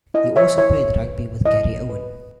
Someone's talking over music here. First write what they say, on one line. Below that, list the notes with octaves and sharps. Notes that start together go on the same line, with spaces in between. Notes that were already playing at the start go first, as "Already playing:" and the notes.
He also played rugby with Garryowen.
E4 D#5
C#5 E5
E4 C#5 E5
B4
E4 D#5
B4